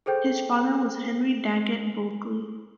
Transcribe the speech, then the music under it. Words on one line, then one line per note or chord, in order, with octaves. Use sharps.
His father was Henry Daggett Bulkley.
G#4 A4 C5 G5 G6